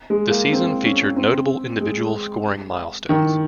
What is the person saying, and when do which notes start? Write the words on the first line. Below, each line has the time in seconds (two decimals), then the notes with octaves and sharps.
The season featured notable individual scoring milestones.
0.10 G#3
0.31 A#3
0.53 C4
0.85 C#4
1.16 C4
1.81 G#3
3.09 D#3